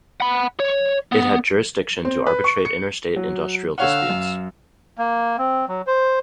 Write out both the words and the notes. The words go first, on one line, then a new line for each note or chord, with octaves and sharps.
It had jurisdiction to arbitrate interstate industrial disputes.
F#5 B5
C#5
B3
C4
B4
C#6
C#7
F#3
D3 C#5 F5 F#5 E6
F#2
A#3
C4
F#3
C5